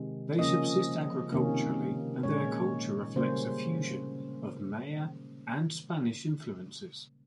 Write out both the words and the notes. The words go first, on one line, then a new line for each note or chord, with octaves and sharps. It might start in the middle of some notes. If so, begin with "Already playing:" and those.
They subsist agriculturally, and their culture reflects a fusion of Maya and Spanish influences.
Already playing: C3 D#3 G#3
C#3 F3 A#3 C#4 D#5
C3 D#3 A#3 C#4
A#2 G#3 C#4 C#5
C#3 G3 A#3 C#4 C5